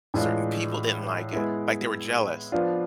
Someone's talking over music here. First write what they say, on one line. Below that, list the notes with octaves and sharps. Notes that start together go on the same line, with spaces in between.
Certain people didn't like it, like, they were jealous?
A2 E3 G#3 D4 F4
G#3 B3 E4
F3 B3 D4 F4